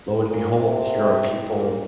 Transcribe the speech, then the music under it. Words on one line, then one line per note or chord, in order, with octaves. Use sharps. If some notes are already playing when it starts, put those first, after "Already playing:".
lo and behold, here are people,
A#2
C3
A#2